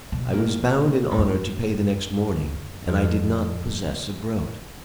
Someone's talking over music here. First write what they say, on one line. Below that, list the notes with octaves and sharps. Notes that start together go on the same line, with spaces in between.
I was bound in honour to pay the next morning, and I did not possess a groat.
B2
A#2
G#2
F#2
F2